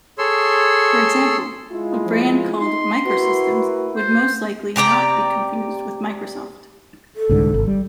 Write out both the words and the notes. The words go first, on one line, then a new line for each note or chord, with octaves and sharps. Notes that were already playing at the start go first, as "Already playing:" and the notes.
For example, a brand called "Microsystems" would most likely not be confused with Microsoft.
G#4 A4 C#5 C6 E6
G#3 E4 F4
F3
D#4 C6
E4 F#4 A#4 B4
C5
C3 G4 D5 A#5
A4
C2 G#2 D3
G#1
G3